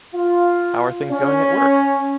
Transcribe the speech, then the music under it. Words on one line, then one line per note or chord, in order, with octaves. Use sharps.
How are things going at work?
F4
C#4